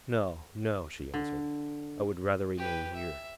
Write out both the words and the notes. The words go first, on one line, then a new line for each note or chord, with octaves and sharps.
"No, no," she answered, "I would rather remain here."
D3
G4 B4
E5